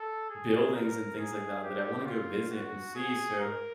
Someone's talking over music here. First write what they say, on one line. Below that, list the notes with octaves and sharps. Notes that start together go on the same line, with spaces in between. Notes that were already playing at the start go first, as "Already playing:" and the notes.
buildings, and things like that, that I wanna go visit and see, so,
Already playing: A4
G#4
A#4
G#4
G4
F4
F#4
G#4
A#4